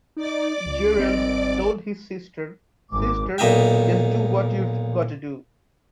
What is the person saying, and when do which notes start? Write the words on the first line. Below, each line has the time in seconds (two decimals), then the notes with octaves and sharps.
Gerald told his sister, Sister, just do what you've gotta do.
0.16 D#4 D5 D6
0.66 C#2
0.97 G#1 G2 C4 D#5
2.91 G#1 G#2 D6
3.38 B1 A#2 D#5 E5 G5